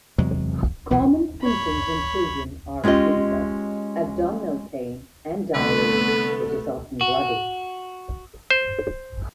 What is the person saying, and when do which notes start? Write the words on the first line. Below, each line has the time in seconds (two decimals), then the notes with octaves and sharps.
Common symptoms in children are fever, abdominal pain, and diarrhea, which is often bloody.
0.18 E2 C3 F#3 G#3
0.91 B1 A#2 E3
1.42 C#5 B5
2.84 G#3 C#4 F4 G4 D#5
5.55 C2 D3 A3 B3 A4 B4
7.01 F#4
8.51 C5